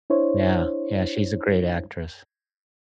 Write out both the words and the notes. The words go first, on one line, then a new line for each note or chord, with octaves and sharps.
Yeah, yeah, she's a great actress.
D4 E4 C5 C#5